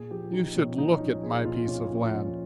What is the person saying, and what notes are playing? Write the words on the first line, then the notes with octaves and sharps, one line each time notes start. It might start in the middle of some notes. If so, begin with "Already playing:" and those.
You should look at my piece of land.
Already playing: A#2 G#4
F3 G4
F3 D#4
A#2 C#4
A#2 D#4
C#4
F3 D#4
F3 G#4
A#2 F4
A#2 C#4
F3 C#4
F3 C#4